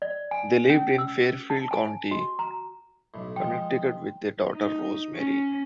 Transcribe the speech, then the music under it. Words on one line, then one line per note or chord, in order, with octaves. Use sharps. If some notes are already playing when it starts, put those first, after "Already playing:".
They lived in Fairfield County, Connecticut, with their daughter Rosemary.
D5
G#5
C#4
E6
A5
G#5
F#4
A#5
B1 A2
F3 G#3 G5
D#4
C#4